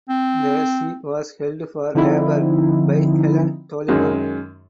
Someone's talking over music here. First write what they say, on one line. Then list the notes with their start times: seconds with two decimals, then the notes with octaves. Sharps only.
The seat was held for Labour by Helen Dollimore.
0.09 C4
1.95 D3 F3 C4 D#4 E4
3.88 F#2 D#3 F#3 G#3